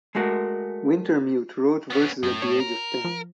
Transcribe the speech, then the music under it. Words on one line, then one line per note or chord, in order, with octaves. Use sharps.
Wintermute wrote verses at the age of ten.
G#3 A3 F#4 A#4
B3 C#4
F#2 A2
C#5
A#4
F3